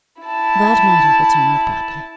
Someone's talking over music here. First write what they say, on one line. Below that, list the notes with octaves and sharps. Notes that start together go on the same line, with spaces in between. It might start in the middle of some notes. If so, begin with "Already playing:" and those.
That matter will turn out badly.
E4 A5